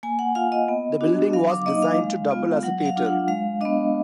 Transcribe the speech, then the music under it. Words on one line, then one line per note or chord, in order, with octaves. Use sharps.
The building was designed to double as a theatre.
A#3 G#5
F#5
F4 F5
D#5
B3
D4 F#4
F#3 F5
D6
A#3 D#4 D#5
F5
G#3
B3 F4
F#3 F#5
F5
D4 F4
F#5
G#3 F5
B3 D4 D#5